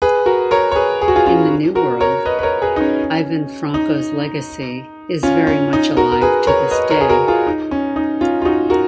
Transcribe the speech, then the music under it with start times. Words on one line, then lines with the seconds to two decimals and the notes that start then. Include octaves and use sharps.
In the new world, Ivan Franko's legacy is very much alive to this day.
0.02 G#4 B4
0.26 F#4 A#4
0.51 A#4 C#5
0.71 C#5
0.76 G#4 B4
1.02 G#4
1.08 F#4
1.16 F4 G#4
1.26 C#4 F4
1.75 F#4 A#4
2.00 A#4 C#5
2.25 B4 D#5
2.39 B4
2.43 A#4 C#5
2.62 G#4 B4
2.76 D#4
2.81 C#4
3.74 D#4
5.23 C#4 F4
5.47 C#4
5.73 D#4
5.97 F#4 A#4
6.12 A#4
6.21 G#4 B4
6.47 A#4 C#5
6.71 B4 D#5
6.90 A#4 C#5
7.01 G#4
7.09 F#4 A#4
7.28 F4 G#4
7.47 D#4
7.71 C#4
7.96 D#4
8.21 C#4 F4
8.42 F4
8.45 D#4 F#4
8.70 F#4 A#4